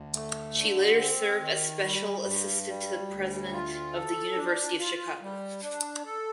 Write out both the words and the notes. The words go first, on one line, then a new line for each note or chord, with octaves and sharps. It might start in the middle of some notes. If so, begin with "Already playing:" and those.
She later served as special assistant to the president of the University of Chicago.
Already playing: D2
A3
D3
C4
D#3
G3
G2
G3
D2
F4
A4
D4
F4
G3
D4
A4